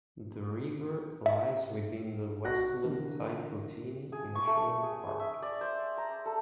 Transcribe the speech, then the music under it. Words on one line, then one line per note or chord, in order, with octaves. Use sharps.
The river lies within the Westland Tai Poutini National Park.
E5
F#4 F#6 A#6
D3 E3 A#3
G#4
C#6
A3
G#4
G#4
E5
D5
C5
A#5
A4